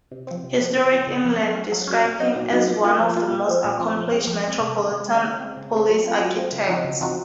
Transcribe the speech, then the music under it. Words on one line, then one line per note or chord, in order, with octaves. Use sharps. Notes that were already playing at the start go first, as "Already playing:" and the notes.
Historic England describe him as "one of the most accomplished Metropolitan Police architects".
C3
F3 C4
C3
F3 C4
C#3
F3 C4
C#3
F3 C4
F#3
C#4 F#4
F#3
C#4 F#4
A#2
F#3 C4 D#4 F#4
A#2
F#3 C4 D#4 F#4
F3
A#3 F4
F3
A#3 F4
A#2
F3 C4
A#2
F3 C4
F3
G#3 C4
F3
G#3 C4
C3
D#3 G#3 C#4
C3
D#3 G#3 C#4
C#3
G#3 C4
C#3
G#3 C4
F#3
C4 F4
F#3
C4 F4
C#3
F3 C4 D#4 F#4
C#3
F3 C4 D#4 F#4